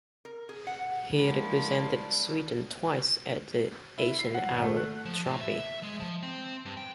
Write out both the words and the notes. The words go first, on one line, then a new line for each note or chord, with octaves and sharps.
He represented Sweden twice at the Eisenhower Trophy.
A#4
G#4
F#5
F3 G3 G#3 A#3 D4 E4
E4
C7
F#5
G#1
A3
F#6
F3
A2
E5
G#3
F3
C4
G2
G5